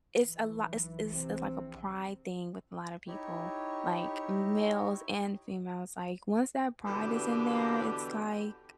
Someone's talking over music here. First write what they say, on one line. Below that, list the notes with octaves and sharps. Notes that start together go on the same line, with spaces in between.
it's a lot it's it's, like, a pride thing with a lotta people, like, m males and females, like once that pride is in there, it's, like
E3
B1
A#1 C3 C4
D#4 E4 G4 C#5
B2 D3 E3 G4